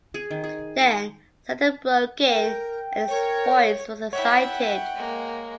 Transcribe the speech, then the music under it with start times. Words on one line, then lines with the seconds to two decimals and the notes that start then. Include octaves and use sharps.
Then Xander broke in and his voice was excited.
0.14 G#4
0.31 D#3
0.44 G#4
0.79 G5
2.29 A#4 G5
3.10 A#4 C#5
4.13 E4 C#5 E5 F#5 G5
4.94 G#3 A#3